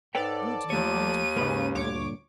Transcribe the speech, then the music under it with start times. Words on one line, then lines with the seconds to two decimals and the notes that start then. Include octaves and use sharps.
Good night!'
0.15 G#2 A4 B4 C#5 D5 G5
0.70 D#2 F3 A3 C#5 D#7
1.37 G#2 C#3 A#3 B4
1.75 D2 G2 A#2 D3 C#5 D6